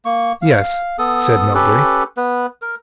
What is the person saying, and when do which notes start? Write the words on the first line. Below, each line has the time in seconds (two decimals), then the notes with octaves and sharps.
"Yes," said Melbury.
0.05 A#3 C#6
0.42 F5
0.99 B3 A4 D#6
1.55 C#4 G4 A4 B4
2.17 B3 B4
2.62 A#4